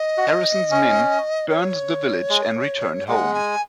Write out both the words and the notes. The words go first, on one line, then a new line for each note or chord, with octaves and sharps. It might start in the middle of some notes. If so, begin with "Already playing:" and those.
Harrison's men burned the village and returned home.
Already playing: D#5
F#4
C#4
C#5
G#3
G#3 F#5
G#5